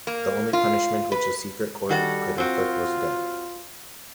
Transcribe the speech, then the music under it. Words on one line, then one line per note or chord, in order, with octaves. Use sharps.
The only punishment which the secret court could inflict was death.
A#3
F4
B4
D#3 G3 F#4 A4
C4 F4 F#4